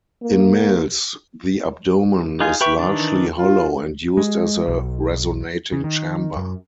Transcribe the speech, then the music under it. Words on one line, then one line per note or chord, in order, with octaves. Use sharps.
In males, the abdomen is largely hollow and used as a resonating chamber.
A#3
D#4 F4 G#4
G4 B4 E5 G5 C#6
D#3 E3 D4
F4
G#3
B1
C#3
D#3
F#2